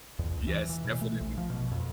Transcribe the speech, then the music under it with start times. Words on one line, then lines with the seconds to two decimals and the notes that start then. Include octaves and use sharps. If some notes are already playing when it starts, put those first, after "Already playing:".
Yes, definitely.
0.19 E2
0.31 C#2
0.48 E3
0.69 E3
0.84 B2
1.01 A3
1.21 A#1
1.38 F3
1.50 B2
1.71 F2